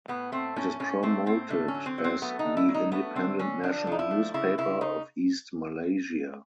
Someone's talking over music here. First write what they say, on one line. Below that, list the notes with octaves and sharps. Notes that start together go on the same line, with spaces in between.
It is promoted as the "Independent National Newspaper of East Malaysia".
A2 B3
A3 C4
A2 C#4
A2 C#4
A3 C4
A2 C4
D3 A3
C#4
F#3
C4
F#3
C4
A3 B3
D#4
D3
E4
F#3
D#4
A3 B3
D3 C4
D3 C#4
F3 D4
F3 D#4
E4
A3
C#3 E4
C#3 E4
C#3 D#4